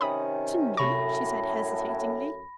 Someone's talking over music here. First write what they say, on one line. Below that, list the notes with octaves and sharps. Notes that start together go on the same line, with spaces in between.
"To me?" she said, hesitatingly.
C3 D#3 C#4 B5 D#6
F#2 A2 C3 B5 C#6 A#6